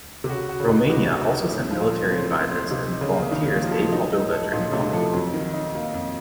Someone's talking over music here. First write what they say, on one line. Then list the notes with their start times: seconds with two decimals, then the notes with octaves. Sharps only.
Romania also sent military advisors and volunteers to aid Moldova during the conflict.
0.24 C3
0.29 C#3 F#4
0.49 F#4
0.60 C#3
0.70 D#4
0.89 C3 F#4
1.10 F#4
1.31 D#4
1.50 A2 D#4
1.71 F3
1.81 A#2
1.91 F3
2.11 C#3 C4
2.31 C4
2.51 C4
2.71 C3 D#4
2.91 D#4
3.01 C#3
3.12 A#3
3.31 D#3 D#4
3.51 A#3
3.62 F3
3.71 F#3 A4
3.81 F3
3.92 F#3 D#4
4.12 D#4
4.23 A2
4.32 A4
4.52 A#2 D#4
4.69 C#3
4.73 C3 A3
4.93 F3 A4
5.13 F2 F#3
5.34 D#3
5.54 D#4
5.74 A#3
5.94 F2